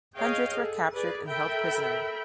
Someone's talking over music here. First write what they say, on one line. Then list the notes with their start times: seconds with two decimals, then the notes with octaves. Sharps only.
Hundreds were captured and held prisoner.
0.16 G#4 C#5 D#5 F5 G5
0.54 G#4 A4
0.94 G#4 B4 D5
1.27 A4 A#4 E5 G5 B5